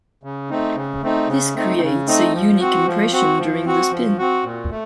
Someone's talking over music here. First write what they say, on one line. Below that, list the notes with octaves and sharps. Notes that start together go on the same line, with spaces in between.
This creates a unique impression during the spin.
C#3
A3 C4 D#4
C#3
A3 C4 D#4
C#3
A3 C4 D#4
C#3
A3 C4 D#4
F3
C4 F#4
F3
C4 F#4
F3
C4 F#4
F3
C4 F#4
A#2
A3